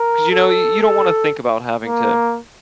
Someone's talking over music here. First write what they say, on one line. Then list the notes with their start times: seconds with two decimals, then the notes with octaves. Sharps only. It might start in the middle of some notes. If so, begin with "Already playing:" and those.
'Cause, you know, you you don't wanna think about having to
Already playing: A#4
0.31 A4
0.81 A4
1.85 A#3